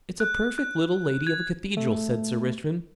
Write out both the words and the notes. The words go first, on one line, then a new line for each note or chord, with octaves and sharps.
"It's a perfect little lady of a cathedral," said Sir Richmond.
F#6
F#6
G#6
A3